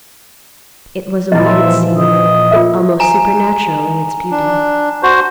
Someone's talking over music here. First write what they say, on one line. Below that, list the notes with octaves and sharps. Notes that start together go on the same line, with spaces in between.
It was a weird scene, almost supernatural in its beauty.
A#2 E3 F3 E4 D#5
F#4 E5
D#5
F4 A#4 E5
G#5 A#5
D4
F#4 C5